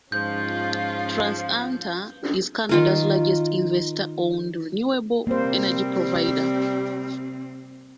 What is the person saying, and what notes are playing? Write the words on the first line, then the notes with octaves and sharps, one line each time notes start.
TransAlta is Canada's largest investor-owned renewable energy provider.
G#2 F3 C#4 F4 G6
D#3 F4 A#4
C3 G3 A#3 C4 C5